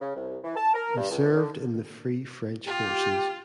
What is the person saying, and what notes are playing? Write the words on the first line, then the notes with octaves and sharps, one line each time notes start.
He served in the Free French Forces.
C#3
C2
E3
A5
A#4
G2
C#2
D3
F4 G4